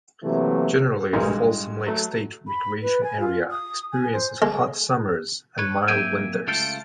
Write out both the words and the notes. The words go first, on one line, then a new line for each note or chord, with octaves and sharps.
Generally, Folsom Lake State Recreation Area experiences hot summers and mild winters.
C3 E3 F#3 A3 A#3
B1 G#2 E3 G3 G#3 A#4
G2 G#3
F#3 A3
B5
B4
G#5
F4
D#6
G#5
C5
G#3
B4 C#5
C2 F#3 A#3 E5 G5 G#5
C#2 A3 F4 A4 F5 G5